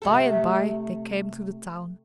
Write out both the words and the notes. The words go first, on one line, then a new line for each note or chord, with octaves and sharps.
By and by they came to the town.
C3 A3 A4